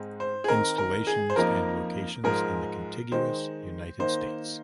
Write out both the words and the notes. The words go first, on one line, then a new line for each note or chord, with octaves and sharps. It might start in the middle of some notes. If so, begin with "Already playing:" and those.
Installations and locations in the contiguous United States.
Already playing: G#2 G#3 C4 D#4
C5
G#4
D#3 C4 D#4 A#4
A#4
G#4
C5
F2 F3 A#3 D#4 A#4
G#2 F3 G#3 A#4
D#3 G#3 D#4 C5
D#3 A#3 D#4 C5